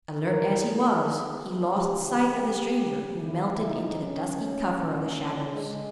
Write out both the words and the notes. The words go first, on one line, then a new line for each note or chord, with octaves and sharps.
Alert as he was, he lost sight of the stranger who melted into the dusky cover of the shadows.
G#2 E3 A#4
G#4
E2 C#3 E3 G4
E2 C#3 E3 E4
D#4
C#4
A#2
G#3